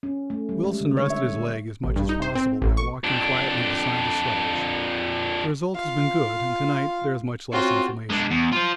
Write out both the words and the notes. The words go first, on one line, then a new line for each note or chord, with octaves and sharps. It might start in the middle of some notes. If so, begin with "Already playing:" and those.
Wilson rested his leg as much as possible by walking quietly beside the sledge; the result has been good, and to-night there is much less inflammation.
C#4
A3
G3
G#3
D3
C#5
E5
A#2
A1
G2
D#4
C5
C4
A1
C#6
F2 D4
F4 F5
C#3 C4 F4 F#4
G#3 D4
E2
F4 C5